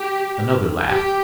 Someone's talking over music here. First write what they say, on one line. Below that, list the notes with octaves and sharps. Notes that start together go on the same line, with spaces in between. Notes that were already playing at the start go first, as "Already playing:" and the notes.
Another laugh.
Already playing: G4
G4